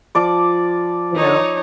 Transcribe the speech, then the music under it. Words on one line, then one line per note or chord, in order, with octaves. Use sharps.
You know?
F3 D5 D6
D#4 C#5